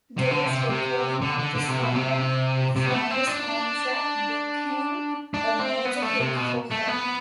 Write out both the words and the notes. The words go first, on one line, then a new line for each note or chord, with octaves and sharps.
Day's recording of the song, from the soundtrack, became a major hit for her.
C3
D3
C3
C3
D3
D3
D3
C3
B2
C3
C3
B3
A3
C4
D4
D4
C4
B3
A3
C3
B2
A3
B3